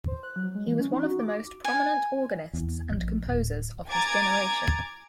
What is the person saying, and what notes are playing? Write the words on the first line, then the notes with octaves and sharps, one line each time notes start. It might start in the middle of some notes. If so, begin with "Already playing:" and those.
He was one of the most prominent organists and composers of his generation.
C5
F#6
F#3
G#3
E3
C#4
D#4
F#4
D6
G#5
E2
A#1
D1
G#5 A#5 D6 G#6 A6